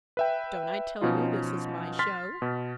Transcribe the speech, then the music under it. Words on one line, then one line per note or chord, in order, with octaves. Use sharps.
Don't I tell you this is my show?
B4 E5 G5
B2 F3 C#4 D#4 F4
C6 F6 A6 B6
B2